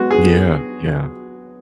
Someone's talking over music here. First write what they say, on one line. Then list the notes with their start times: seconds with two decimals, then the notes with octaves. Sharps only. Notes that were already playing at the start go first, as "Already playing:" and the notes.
Yeah. Yeah.
Already playing: F#3 G#3 B3 F#4
0.11 G#4